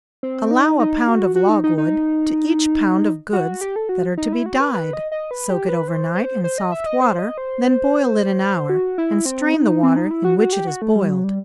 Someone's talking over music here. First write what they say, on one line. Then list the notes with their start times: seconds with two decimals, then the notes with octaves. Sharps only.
Allow a pound of logwood to each pound of goods that are to be dyed. Soak it over night in soft water, then boil it an hour, and strain the water in which it is boiled.
0.23 C4
0.51 D#4
0.79 D#4
1.08 F#4
1.36 F#4
1.49 D#4
1.64 D#4
1.78 D#4
3.33 F#4
3.61 G4
3.76 A4
3.89 F#4
4.17 D#4
4.33 E4
4.46 F#4
4.60 B4
4.74 B4
4.93 D#5
5.12 D#5
5.31 B4
5.50 G4
5.69 B4
5.88 C5
6.15 C5
6.44 C5
6.58 D#5
6.72 E5
6.86 D#5
7.01 C5
7.19 D#5
7.38 C5
8.69 F#4
8.98 E4
9.25 C4
9.54 D#4
9.83 C4
9.96 D#4
10.11 E4
10.25 F#4
10.39 F#4
10.53 G4
10.67 F#4
10.82 A3
10.95 G3
11.09 F#3
11.24 G3